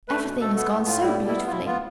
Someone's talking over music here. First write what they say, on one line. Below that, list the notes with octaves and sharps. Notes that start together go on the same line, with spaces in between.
Everything has gone so beautifully.
A3 B4
B2
A3 A4
B3 A4
A2
A2 F4
G3 E4
B2
E4
B3
F4
B2 E4
B3 F4